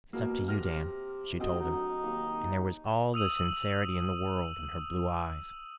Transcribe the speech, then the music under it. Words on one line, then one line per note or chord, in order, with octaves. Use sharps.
"It's up to you, Dan," she told him, and there was all the sincerity in the world in her blue eyes.
B2 A#3
C3 F6 A#6
D2 F#3 C4 D#5
D#4
D#2
D#6 E6 D#7 F#7